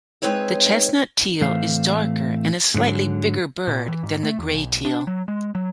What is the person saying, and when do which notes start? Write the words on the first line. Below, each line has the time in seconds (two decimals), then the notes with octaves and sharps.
The chestnut teal is darker and a slightly bigger bird than the grey teal.
0.22 G#3 C4 D#4 B4 C#5 E5
1.41 A2 E3 A3 C4 F5
2.74 G#2 D3 F#3
3.68 A#2
3.88 E3
4.03 G#2
4.23 A3
4.39 E2
4.54 B1
4.85 D4
5.07 F#3
5.28 G#3
5.55 F#3